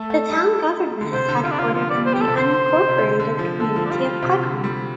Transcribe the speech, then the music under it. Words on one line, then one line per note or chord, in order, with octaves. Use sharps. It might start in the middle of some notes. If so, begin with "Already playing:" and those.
The town government is headquartered in the unincorporated community of Cleghorn.
Already playing: A3 A4
A3
G3
D3
C3 C5
D3
C3 F4
D4
D3 F4
F3 F4
G3 D5
C5
G3 G4
A4
C3
D3 C5
C3
D3
D3
F3
D3 A4
F3
D4
G3 F4
F3
C3
D3
G3